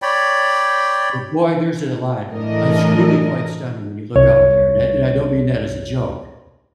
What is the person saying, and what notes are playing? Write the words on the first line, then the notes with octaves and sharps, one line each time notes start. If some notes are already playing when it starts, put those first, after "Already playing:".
But, boy, there's it a lot. I it's really quite stunning when you look out there, and I and I don't mean that as a joke.
C#5 D5 G5 B5
A2 E3 D4 A#4 D#5
C2 C#5